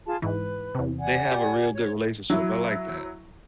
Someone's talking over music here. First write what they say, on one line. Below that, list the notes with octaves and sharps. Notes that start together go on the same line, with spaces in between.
they have a real good relationship. I like that.
F4 G#4 A5
G#2 E3 B4
E2 C3
D5 F#5 G#5
G4
C#5
F#3 E4